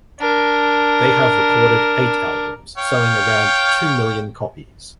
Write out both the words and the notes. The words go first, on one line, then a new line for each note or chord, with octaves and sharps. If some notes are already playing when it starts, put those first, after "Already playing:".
They have recorded eight albums, selling around two million copies.
D4 A#4
C#5 F5 G5